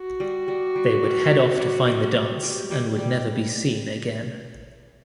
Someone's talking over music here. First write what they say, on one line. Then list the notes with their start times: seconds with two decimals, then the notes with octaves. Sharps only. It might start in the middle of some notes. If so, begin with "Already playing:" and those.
They would head off to find the dance and would never be seen again.
Already playing: F#4
0.20 G3
0.48 G3
0.76 G3
1.04 G3
1.31 G3
1.59 G3
1.87 G3
2.15 G3
2.42 G3 G4
2.71 G3
2.85 G4
2.99 G3